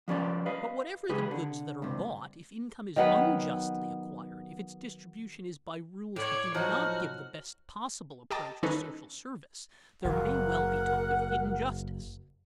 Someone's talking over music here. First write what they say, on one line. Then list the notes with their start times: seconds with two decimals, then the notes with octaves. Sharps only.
But whatever the goods that are bought, if income is unjustly acquired, if its distribution is by rules that do not give the best possible approach to social service, there may well be talk of injustice.
0.08 F3 G3 C#4 D5
0.46 B4 D#5 F5
1.09 C#3 G#3 G4 G#4 B4
1.31 D3
1.82 C#2 G2 C3
2.96 D#3 F#3 B3 B4
6.16 A2 C#5 D5
6.55 F3 F#3 D#4 F#4 A4 F#5 F6
8.31 G4 D#5 A5
8.63 D#3 C#4 D#4 A4 B4
10.04 F#1 A#4 F#5